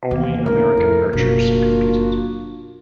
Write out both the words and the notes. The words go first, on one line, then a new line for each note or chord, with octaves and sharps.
Only American archers competed.
D#2 E3 A#3 B3
C#2 D4 A#4
F2 A2
F#1 B2 A#3 D4 F4 F#4